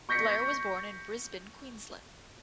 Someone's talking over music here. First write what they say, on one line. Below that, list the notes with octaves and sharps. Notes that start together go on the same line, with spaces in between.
Blair was born in Brisbane, Queensland.
C#6 G6 A#6 B6 C#7